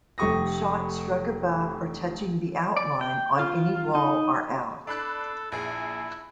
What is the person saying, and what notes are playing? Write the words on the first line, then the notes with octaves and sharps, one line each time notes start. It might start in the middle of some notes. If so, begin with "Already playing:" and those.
Shots struck above or touching the out line, on any wall, are out.
F1 A3 G4 C#6 D#6 A#6
D5
G5
F4
D#4
D4 A4 B5 F#6
A#1 E4 G#4